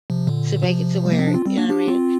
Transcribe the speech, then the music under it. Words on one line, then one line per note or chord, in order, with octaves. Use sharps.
to make it to where you know I mean?
C3 F3
A#2 D3
C3 F3
G3
A#3
C4
D4
C4 F4
G3 C4
A#3 D4
D4 G4
C4 F4